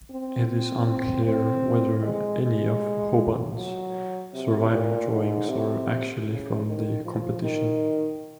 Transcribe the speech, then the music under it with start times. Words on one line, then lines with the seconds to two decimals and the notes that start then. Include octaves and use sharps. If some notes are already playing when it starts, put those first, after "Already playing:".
It is unclear whether any of Hoban's surviving drawings are actually from the competition.
0.10 C4
0.48 C4
0.87 C4
1.25 C4
2.03 G#3
2.41 G#3
3.57 F#3
4.34 C3
4.72 A#2
5.11 G#2
5.49 C3
6.26 C#3
6.65 D#3
7.04 F3
7.42 D#3